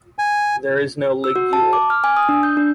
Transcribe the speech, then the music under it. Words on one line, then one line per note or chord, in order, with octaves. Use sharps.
There is no ligule.
G#5
E6
F#4
A5
D6
F6
G#5
D#6
D4
G6
D4